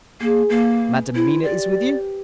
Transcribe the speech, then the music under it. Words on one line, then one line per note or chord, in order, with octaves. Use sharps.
Madam Mina is with you?
A#3 G#4
A#3 B4
E4 C5
G4 D5